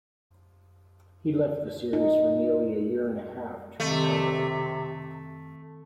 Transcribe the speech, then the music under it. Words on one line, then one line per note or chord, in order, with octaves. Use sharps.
He left the series for nearly a year and a half to recover.
D#4
C3 D#3 A3 C4